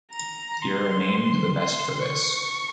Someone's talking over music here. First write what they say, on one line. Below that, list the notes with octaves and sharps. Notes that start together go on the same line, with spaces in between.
Here are named the best for this.
A#5
C6
C6
C#6